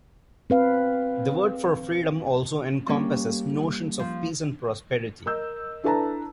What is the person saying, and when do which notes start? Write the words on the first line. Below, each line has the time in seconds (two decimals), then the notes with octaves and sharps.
The word for freedom also encompasses notions of peace and prosperity.
0.50 C4 B4 F5
2.87 G3 A#3 C#4
3.99 F3
5.26 A#4 D#5 E6 G6
5.84 D4 E4 A4 B4 A5 A#5